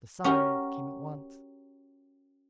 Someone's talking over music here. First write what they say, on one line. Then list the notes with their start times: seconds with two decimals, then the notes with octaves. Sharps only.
The sun came at once.
0.24 C#4 F#4 G4 A#4